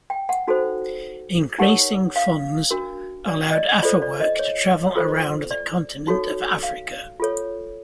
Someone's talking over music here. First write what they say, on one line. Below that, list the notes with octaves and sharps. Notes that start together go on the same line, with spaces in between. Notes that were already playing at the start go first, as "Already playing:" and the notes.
Increasing funds allowed Afewerk to travel around the continent of Africa.
G5
F#5
D#4 F#4 A4 C5
D#4 G4 A#4 C#5 F#5
F5
D4 F#4 A#4
D5
D#5
D5
F4 A4 C5 D5
D5
D#5
C#5
F4 A4 C5
D5
D#4 F#4 A4 C#5
F5
F4 A4 C#5